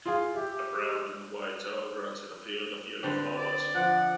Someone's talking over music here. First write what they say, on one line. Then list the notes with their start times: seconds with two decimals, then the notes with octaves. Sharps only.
A brown and white dog runs in a field of yellow flowers.
0.06 F4 G#4 F5
0.35 G4 E5
3.03 D3 C4 B4
3.36 D5
3.75 F3 F#5